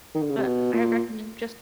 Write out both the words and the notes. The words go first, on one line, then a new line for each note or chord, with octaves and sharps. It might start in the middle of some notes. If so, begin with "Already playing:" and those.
But I would recommend just
D#3
D3
C#3
C3
B2
A#2